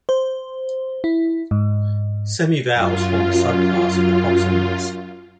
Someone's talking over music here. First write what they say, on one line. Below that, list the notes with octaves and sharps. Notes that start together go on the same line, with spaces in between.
Semivowels form a subclass of approximants.
C5
E4
G#2
F#2 F4